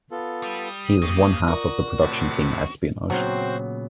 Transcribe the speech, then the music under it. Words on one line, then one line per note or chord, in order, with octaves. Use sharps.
He is one half of the production team Espionage.
B3 F4 A4
G3 D#6
C#3 A#3 G4 C#6 A#6
F4 F#4 A#4 D5 A#5
A2 C3 F#5 A6
A#2 C#3 F#3 B3 C4 F#4 C5